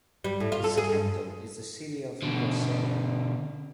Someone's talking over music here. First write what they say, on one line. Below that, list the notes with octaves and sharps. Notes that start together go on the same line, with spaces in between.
Its capital is the city of Grosseto.
G3
A2
F4
A4
G#4
G2
B2 D3